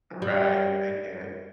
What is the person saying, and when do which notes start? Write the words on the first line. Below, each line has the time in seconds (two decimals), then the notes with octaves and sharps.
Right, I get it.
0.22 G3